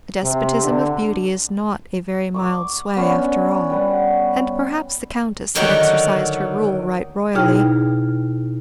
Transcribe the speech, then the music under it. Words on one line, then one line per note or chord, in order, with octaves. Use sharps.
The despotism of beauty is not a very mild sway, after all; and perhaps the Countess had exercised her rule right royally.
C3
D3
C#6 D6
B3 C#4 D4
G3 B4 F#5
D3 D#3 F#3 D#4 F#4
B2 D#4 E4 G#4 G5 F6